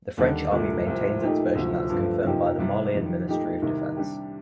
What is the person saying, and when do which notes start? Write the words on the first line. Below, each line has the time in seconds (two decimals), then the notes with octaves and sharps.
The French army maintains its version that is confirmed by Malian Ministry of Defence.
0.17 D#2 D3 G3 D4
0.52 C2 A#2 A3
0.86 C2 A#2 F3 C4
1.21 A#2 A3 D#4 G4
1.55 D2 C3 F3
1.90 G2 F3 A3
2.24 C3 F3 A#3 D#4 G4
2.58 C2 C3 G3
2.93 F2 D#3 G3
3.27 A#2 A3 D#4 G4
3.62 C2 C3 D#3 G3
3.96 C3 G3 D4 G4